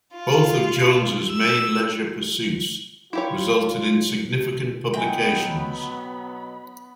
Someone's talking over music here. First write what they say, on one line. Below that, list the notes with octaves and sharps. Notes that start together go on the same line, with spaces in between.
Both of Jones's main leisure pursuits resulted in significant publications.
F4
E6
E4 F4 G4 C#5
B2 F#3 B3 D#5 E5 G5 G#5 B5